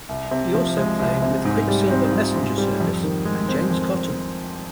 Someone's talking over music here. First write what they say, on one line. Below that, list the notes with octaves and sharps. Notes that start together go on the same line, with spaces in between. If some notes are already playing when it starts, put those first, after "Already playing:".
He also played with Quicksilver Messenger Service and James Cotton.
C2
C3
F3
G#3
C2
C3
G#2
G3
C4
F4
G#2
G3
F2
D#3
G#3
C4
F2